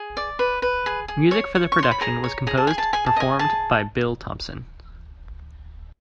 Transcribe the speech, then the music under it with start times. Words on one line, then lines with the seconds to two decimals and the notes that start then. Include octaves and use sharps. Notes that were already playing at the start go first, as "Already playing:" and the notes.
Music for the production was composed and performed by Bill Thompson.
Already playing: G#4
0.17 D5
0.39 B4
0.62 B4
0.86 G#4
1.08 G#4
1.31 C#5
1.55 C#5
1.72 C#6
1.79 C#5 C6
1.91 B5
2.01 G#4 A#5
2.24 C#5
2.47 G#4 A#5
2.57 A5
2.67 G#4 G#5
2.78 A5
2.93 G#4 G#5
3.06 A5
3.16 D#5 G#5
3.39 G#4 A5